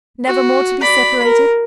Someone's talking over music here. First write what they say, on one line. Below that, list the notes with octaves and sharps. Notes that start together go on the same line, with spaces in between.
"Never more to be separated?"
F#4
D5 B5
A#4